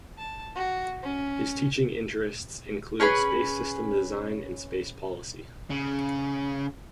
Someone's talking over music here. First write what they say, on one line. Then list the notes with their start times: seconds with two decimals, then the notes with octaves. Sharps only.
His teaching interests include space systems design and space policy.
0.18 A5
0.55 F#4
1.03 C#4
3.00 C#4 G#4 B4 B5
5.70 C#3